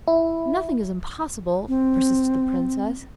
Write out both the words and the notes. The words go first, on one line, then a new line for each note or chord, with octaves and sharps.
'Nothing is impossible,' persisted the princess.
E4
C4